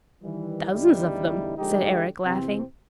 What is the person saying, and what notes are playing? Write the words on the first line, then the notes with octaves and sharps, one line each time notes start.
"Thousands of them," said Eric, laughing.
D#3 E3 G3
A1 E2 D3 G3 D#4 E4
D3 F3 G#3 D#4 G4
E2 C3 E3 C4